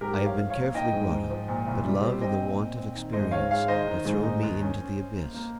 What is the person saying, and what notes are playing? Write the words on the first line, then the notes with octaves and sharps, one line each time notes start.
I have been carefully brought up, but love and the want of experience have thrown me into the abyss.
G#2 G4 A#4
F3
C#5 F5
F3
C#5 F5
A#3
D#4 D#5 G5
G#2
G#2
F3
A#2
C2
G3
C4
C4 D#5 G5
A#2
A#2
C4
D#3
G#2 C5 D#5
G#2 C#5 F5
G#3 C#5 F5
D#3 C5 D#5
D#3
G#2
D#4
D#2
C#4
C#4
C#4
A#3
A#3